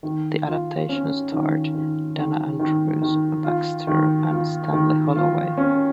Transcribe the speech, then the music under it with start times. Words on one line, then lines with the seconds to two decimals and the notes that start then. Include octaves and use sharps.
The adaptation starred Dana Andrews, Baxter, and Stanley Holloway.
0.03 D#3
0.47 F4
0.89 C#4
1.32 D#3
1.74 D#3
2.17 D#3
2.59 D#3
3.02 D#3
3.44 F4
3.87 D#3
4.30 F4
4.73 D#3
5.16 F4
5.57 C#4